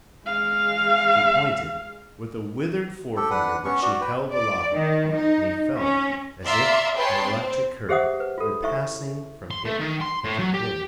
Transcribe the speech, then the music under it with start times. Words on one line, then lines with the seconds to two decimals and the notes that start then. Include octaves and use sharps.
She pointed with a withered forefinger which she held aloft and he felt as if an electric current were passing from it to him.
0.25 G#3 F5
3.17 G4 A4
3.31 D4 B4 F#5
3.65 B3 C#4 C#6
3.82 F#4 D5
4.01 B4 G5
4.32 D5
4.75 D#3
5.14 D#4
5.78 C#4
6.46 D5 E5 F5 A#5 C6
6.96 G#4 B4 C#5 G5 A5 C6
7.26 C4 C5
7.89 G4 G#4 C5 E5 F#5 D#6
8.20 B4
8.38 F4 A4
8.63 E4 E5 C#6
9.51 C6
9.65 A3
9.80 D#3
10.01 C6
10.24 A2
10.39 F#3
10.54 G4